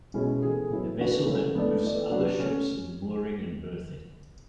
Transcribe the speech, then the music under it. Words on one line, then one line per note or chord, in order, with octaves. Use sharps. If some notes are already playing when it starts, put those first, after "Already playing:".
A vessel that moves other ships in mooring and berthing.
B2 G#3 C#4 E4 G#4
E3 A3 E4 G#4
A2 F#3 B3 E4
E3 A3 D4 F#4 B4
C#3 E3 A3 C#4 E4
E3 B3 D4 A4 D5
A3 E4 B4 D5
F#3 B3 D4 F#4 B4
A3 C#4